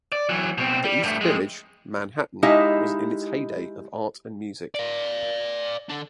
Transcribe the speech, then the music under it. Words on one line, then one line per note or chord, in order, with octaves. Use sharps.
The East Village, Manhattan was in its heyday of art and music.
D5
E3 F#3
B2 C4
G3
G2 A3
F2 G#3
G#3 D#4 E4 G4 E5 F5
D5 F5
D3 D4